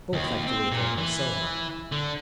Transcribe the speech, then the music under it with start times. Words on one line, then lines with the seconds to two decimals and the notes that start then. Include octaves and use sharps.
Both liked to wait on her so much.
0.13 D#2
0.47 C4
0.72 A#2
0.98 E3
1.92 D3